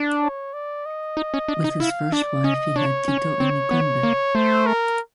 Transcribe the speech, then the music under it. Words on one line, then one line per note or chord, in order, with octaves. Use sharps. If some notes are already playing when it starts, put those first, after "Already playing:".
With his first wife he had Tito and Nikombe.
Already playing: D4
C#5
D5
D#5
D#4
C#4
D4
D#4
E4 F5
D4 D5
C#4 D#5
D4 C#5
C#4
C4
B3
A#3
A3 C5
A#4